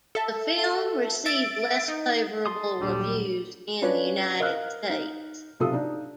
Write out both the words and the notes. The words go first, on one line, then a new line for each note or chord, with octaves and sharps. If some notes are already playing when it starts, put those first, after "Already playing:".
The film received less favourable reviews in the United States.
A4 E5
E5 A6 D7
D#4
A4 C6 D#6
A#1 D#2 F#3 G3 D4 G4
C#4 D4 F4 B4 C#5 D5
A#4 D#5 F5 F6 F#6
D#4
B1 C3 F4 A4 D#6
D4 D#4